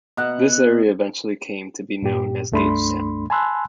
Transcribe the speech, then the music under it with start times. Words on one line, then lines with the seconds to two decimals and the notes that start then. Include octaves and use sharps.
This area eventually came to be known as Gagetown.
0.17 B2 F#5
2.02 G2 A#2 G4
2.52 C#2 G2 A3 D4 B5 C6
3.30 G#5 A5 B5 C6 E6 F#6